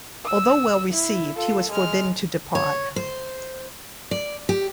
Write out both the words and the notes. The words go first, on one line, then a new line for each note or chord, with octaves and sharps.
Although well received, he was forbidden to depart.
E6
E4
F4 A4
G#3 F6
C#5
C5
D5
G4